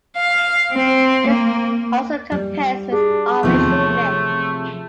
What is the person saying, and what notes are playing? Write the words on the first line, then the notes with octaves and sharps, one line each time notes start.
This also compares with Irish myth.
F5
C4
A#3
G3
D4 G#4
E2 C3 D#3 F3 A3 C4
C#5